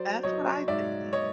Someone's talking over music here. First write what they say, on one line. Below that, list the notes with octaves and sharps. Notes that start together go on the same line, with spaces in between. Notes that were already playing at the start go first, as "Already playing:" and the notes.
That's what I think.
Already playing: F#3 C5 D5
F#3 C#5 D#5
G#2 D5 E5
C#5 D#5